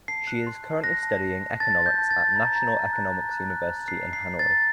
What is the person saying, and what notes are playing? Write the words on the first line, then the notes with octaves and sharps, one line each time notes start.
She is currently studying economics at National Economics University in Hanoi.
A5 C7
F#6
C6
A5
F#6 A#6
A5
A5
C6
A5 A6
C6
G6
A5
A6
A5
A#5
A#5
A#5
F#6
F#6
F#6
F#6
F#6
F#6 C7
F#6
C7
F#6
A6
A#5